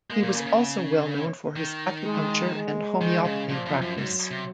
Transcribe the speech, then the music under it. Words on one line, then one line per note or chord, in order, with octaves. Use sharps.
He was also well known for his acupuncture and homeopathy practice.
G#3 A#3
A#2
C#3
C#3
D#3
G#3
G#3
D#3
C#3
A#2 F3
F#2
F#2
G#2 F#3
C3